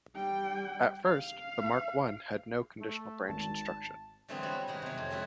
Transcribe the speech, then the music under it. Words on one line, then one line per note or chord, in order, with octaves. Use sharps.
At first, the Mark One had no conditional branch instruction.
G3 G5
F5
A3
G#1 A5
D3 E3 F#3 G#3 B3 C4
G3 E4 F#4 E5 A#5 B5
B2 D#3 G#3 F#5 A#5
C3 F#3
F2
G#3 C4 C#4 E4 F#4 A4